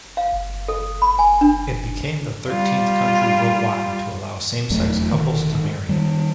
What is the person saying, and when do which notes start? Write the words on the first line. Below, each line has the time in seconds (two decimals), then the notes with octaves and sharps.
It became the thirteenth country worldwide to allow same-sex couples to marry.
0.17 F5
0.68 A4
1.02 B5
1.19 G#5
1.41 D4
2.48 G3 F4
4.70 F1 E2 F#3 A3
5.12 E1 B2 D3 D#3
5.89 D#3 G3